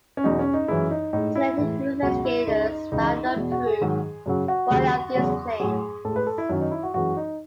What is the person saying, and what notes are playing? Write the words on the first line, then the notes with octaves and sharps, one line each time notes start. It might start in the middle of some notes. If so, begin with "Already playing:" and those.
Senate investigators found no proof for any of these claims.
C#4
E2 B2 F#3 D#4
C#4
D#4
F#2 E3 G#3 E4
D#4
A2 G#3 D#4
E4
A2 E3 G#3 E4
C#2 B2 F#3 F#4
E4
C#2 C#3 G#3 D#4
D#4
C#2 C#3 E3 D#4
D#4
D#4
E4
E2 B2 G#3
F#4
G#4
G#2 D#3 F#3
F#2 C#3 F#3
F#4
D#2 C#3 F#3
E2 C#3 F#3
A2 F#3 G#4
A2 G#3 A4
B4
A4
E4
F#2 D#3 F#3
D#4
E4
F#4
F#2 E3 G#3 F#4
D#4